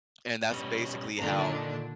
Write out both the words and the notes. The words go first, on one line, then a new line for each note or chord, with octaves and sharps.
And that's basically how
B2 G3 C#4
A#2 D3 D#3 D4 A#5